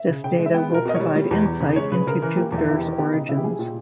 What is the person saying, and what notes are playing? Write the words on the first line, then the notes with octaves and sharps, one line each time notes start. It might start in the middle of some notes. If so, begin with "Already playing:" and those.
This data will provide insight into Jupiter's origins.
Already playing: E5
C#3
C#3 G5
G#3
E5
B3 G5
B2 A#4
B2 D#5
C#5
G3
G3
E2
E2
C#3
G#3 C#5
C#3 B4
C#3 A#4
E3 A#4
A#3 G4
E2
E4
E2 E4
G4
D#3
B3 G4
C#3 D#4
C#3 E4
G4
G3 G#4
A#2 G4